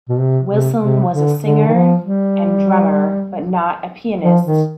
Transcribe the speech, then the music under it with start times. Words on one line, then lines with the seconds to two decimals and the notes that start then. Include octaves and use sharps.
Wilson was a singer and drummer, but not a pianist.
0.09 B2
0.19 C3
0.49 C3
0.81 C3
1.12 D3
1.42 D3
1.68 D#3
1.73 F3
2.04 G3
4.22 F3
4.46 D#3